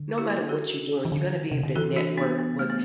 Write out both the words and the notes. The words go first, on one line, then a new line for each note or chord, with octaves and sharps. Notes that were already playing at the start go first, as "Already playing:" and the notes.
No matter what you're doing, you're gonna be able to network with
Already playing: D3
E4 G4
F#4 A4
E3
D3
C3
D3
E3 F#4 A4
D4 F#4
B3 D4
B3
A3
B3